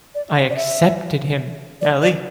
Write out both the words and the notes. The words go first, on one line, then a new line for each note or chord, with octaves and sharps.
I accepted him, Nelly.
D5
D5
E5
D5
D5